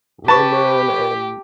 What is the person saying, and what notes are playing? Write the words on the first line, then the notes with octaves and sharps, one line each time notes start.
Rain Man and
G4 B4 A5 C#6